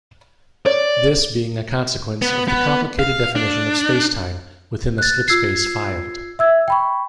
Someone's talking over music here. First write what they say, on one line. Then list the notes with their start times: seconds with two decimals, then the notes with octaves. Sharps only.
This being a consequence of the complicated definition of space-time within the slipspace filed.
0.66 C#5 D5
2.22 B3
2.48 B3
2.99 F5
3.36 D4
4.98 F#6 A6
5.28 F4 E6 G#6 C7
6.39 E5 E6 G#6
6.68 G5 B5 C#6